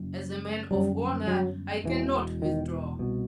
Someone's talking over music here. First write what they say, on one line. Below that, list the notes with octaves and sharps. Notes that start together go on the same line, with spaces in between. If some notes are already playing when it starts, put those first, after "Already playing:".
As a man of honour I cannot withdraw.
Already playing: F#1 F#2
G1 F#2 G3
F#3
E1 E2 B2 E3
D#3
C2 B2